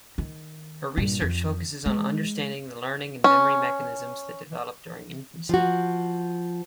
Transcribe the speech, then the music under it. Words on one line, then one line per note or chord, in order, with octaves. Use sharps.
Her research focuses on understanding the learning and memory mechanisms that develop during infancy.
D#3
G2 A#2
F2
G#3
C#4
F3 F#4